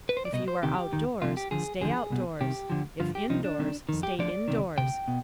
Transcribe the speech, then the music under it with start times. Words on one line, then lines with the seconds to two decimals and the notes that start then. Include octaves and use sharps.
If you are outdoors, stay outdoors; if indoors, stay indoors.
0.09 B4
0.17 C5
0.25 D5
0.33 C2 B2 D#5
0.48 C5
0.63 D2 C3 D#3 G4
0.93 D#2 D#3
1.22 C2 C3 F3 F4
1.37 G4
1.51 D#2 D3 F3 G#4
1.81 D#2 D3 F3 G#4
2.10 C2 B2
2.40 C2 C3 D#3 G4
2.70 D2 D3 F3
3.00 G2 D3 F3 F4
3.15 G4
3.30 C2 C3 F3 D#4
3.44 D4
3.59 C2 C3 D#3
3.89 F2 D#3
4.03 G4
4.19 D2 D3 F3 D5
4.48 D2 C3 D#3
4.78 D2 C3 G5
5.08 B2